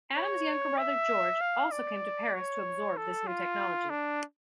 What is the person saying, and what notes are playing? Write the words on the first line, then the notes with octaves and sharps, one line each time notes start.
Adam's younger brother, George, also came to Paris to absorb this new technology.
C#5
E5
F5
D5
C#5
A4
F4
D4